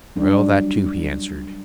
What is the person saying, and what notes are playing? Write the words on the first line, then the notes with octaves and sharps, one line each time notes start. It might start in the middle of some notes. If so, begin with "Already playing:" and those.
Well, that too he answered.
F#3 G3 D4